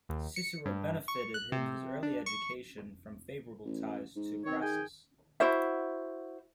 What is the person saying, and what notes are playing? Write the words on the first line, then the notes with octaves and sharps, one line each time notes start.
Cicero benefited in his early education from favorable ties to Crassus.
D#2
C#7
G2
C#6
F#6
C3
D4
C#6
A1
G#2
D#3 C4 C#5
G#4 G5 G#5
E4 F#4 C5 E5